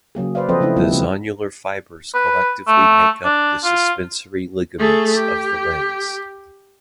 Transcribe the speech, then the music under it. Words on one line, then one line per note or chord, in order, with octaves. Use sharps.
The zonular fibers collectively make up the suspensory ligament of the lens.
C#3 F#3 A#3 G#4
B4 C5 D5 F5
F3 C4 A4 B4 C5 D#5
C#3 A3 D4 E4
F3 G3 G#3 A#3 B3 E4
C#3 C4 D4
B4
A3
D4
F4
A3 G#4
G4